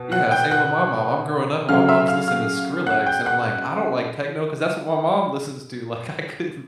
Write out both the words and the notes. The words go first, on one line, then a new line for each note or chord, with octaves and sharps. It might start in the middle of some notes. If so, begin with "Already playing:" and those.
i yeah, same with my mom, I'm growing up and my mom's listening to Skrillex, and I'm like, "I don't like techno 'cause that's what my mom listens to," like, I couldn't
Already playing: B2
F#5 F#6
G5 G6
F#5 F#6
C#3 F#3 A3 C#4 F5 F6
E5 E6
F5 F6
F5 F6
F#5 F#6
G5 G6
F#5 F#6